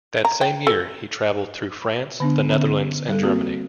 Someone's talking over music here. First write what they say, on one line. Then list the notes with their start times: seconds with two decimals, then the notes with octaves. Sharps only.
That same year he travelled through France, the Netherlands and Germany.
0.25 A#5
0.41 G5
0.67 A4
2.20 D3 B3 D4
2.49 D3 B3 C#4
3.08 G3 A4
3.23 A#3 C4 F#4